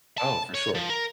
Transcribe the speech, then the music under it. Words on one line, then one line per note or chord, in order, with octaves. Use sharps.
Oh, for sure.
A5
C#5
F3
A#4